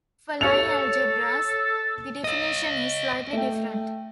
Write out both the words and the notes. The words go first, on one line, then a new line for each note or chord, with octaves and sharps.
For Lie algebras the definition is slightly different.
A4 C#5 C#7 F7
C#5 D#5
A3 G5